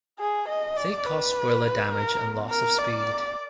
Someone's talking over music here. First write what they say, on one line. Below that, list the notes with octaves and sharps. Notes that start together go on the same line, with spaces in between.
They caused boiler damage and loss of speed.
G#4
D#5
D5
B4
A#4
A#4
D5